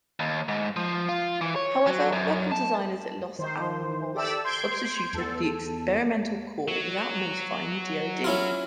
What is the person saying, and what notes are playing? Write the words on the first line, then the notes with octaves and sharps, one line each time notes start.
However, weapon designers at Los Alamos substituted the experimental core without notifying the DoD.
D#2
G#2
F3
F4
E3
C#5
F#3
F#2
A5
D#3 C5
G4 A4 D5 E5 E6
C6 G6 G#6 D7
E2 A4
F#3
C#4 E4 F4